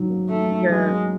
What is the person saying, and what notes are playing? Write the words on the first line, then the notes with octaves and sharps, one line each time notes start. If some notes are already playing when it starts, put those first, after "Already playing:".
n you're
Already playing: G#2 D#3 F#3
A#3
D#3 A3
G#2
F#3 G#3
A#3